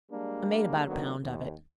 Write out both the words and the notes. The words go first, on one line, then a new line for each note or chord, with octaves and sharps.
I made about a pound of it.
G3 G#3 A#3 D4
D3 D#3 F#3 A#3 B3
D#2